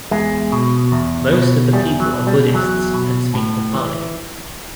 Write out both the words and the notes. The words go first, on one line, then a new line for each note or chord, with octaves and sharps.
Most of the people are Buddhists and speak Nepali.
E2 G#3
B2
E2
B2
E2 G3
F#3
B2
G3
E2 F#3
B2
A2
E3